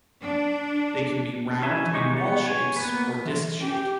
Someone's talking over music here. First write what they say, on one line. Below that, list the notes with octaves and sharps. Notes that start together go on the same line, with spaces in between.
They can be round in ball shapes or disc shaped.
D4
C#4 E4 E5 G#5
D#3 G#3 D#4 G4 C#6
B3 C#5
C#5 G#5
A#3 B3 B4
E3 E5 C6
C#4 G4